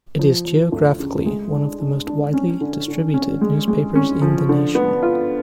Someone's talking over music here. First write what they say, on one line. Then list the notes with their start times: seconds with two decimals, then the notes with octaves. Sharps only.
It is geographically one of the most widely distributed newspapers in the nation.
0.19 F3
0.45 F3
0.72 D2
1.00 C#3
1.26 G#3
1.52 D4
1.80 D4
2.07 D4
2.34 C#4
2.61 D3
2.88 D3
3.14 C#4
3.41 G#3
3.68 G#3
3.95 C#4
4.22 F3
4.49 D3
4.75 B3
5.03 F4